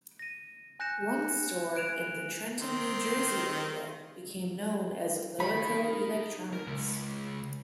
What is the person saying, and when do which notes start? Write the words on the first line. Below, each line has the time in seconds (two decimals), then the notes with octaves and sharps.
One store in the Trenton, New Jersey area became known as "Laraco Electronics".
0.19 A#6 D#7
0.80 G#5 F#6 G6 A#6 C#7 E7
1.75 F#6 D7 E7 F7
2.61 D#3 C4
5.40 D#4 G5 B5
6.53 A#4
6.67 C#2